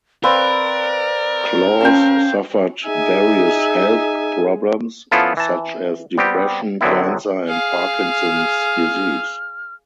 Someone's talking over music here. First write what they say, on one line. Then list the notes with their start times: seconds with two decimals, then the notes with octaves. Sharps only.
Claus suffered various health problems, such as depression, cancer and Parkinson's disease.
0.24 C4 A#4 B4 D5 F5
1.81 C#4 F5 G5 A5
2.86 D#4 G#4 E5 G#5
5.11 F3 B3 C#4 E4 F4 A4
5.37 E3 A5
6.18 G3 B3 C4 G4
6.81 F#2 D3 F#3 B3 C4 E4
7.48 G#4 F5 F6